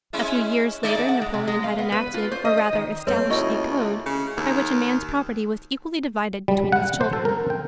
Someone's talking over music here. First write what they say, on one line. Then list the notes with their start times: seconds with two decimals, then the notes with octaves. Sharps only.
A few years later Napoleon had enacted or rather established a Code by which a man's property was equally divided between his children.
0.13 G#3 C#4 E4
0.83 G#3 D#4 D5
1.08 F#5
1.22 G#3
1.34 C3
1.48 G#3
1.64 F5
1.78 B3
1.92 B4
2.14 F4
2.32 C5
2.45 D#5
2.57 D#5
2.73 D#3
3.07 A3 A#3 C4 B4 C#5
3.30 C#2 E4 F#4 D#5
4.06 C#3
4.37 D#2
6.48 G3
6.72 F#5
7.01 C5
7.13 A4
7.25 A#4
7.50 G5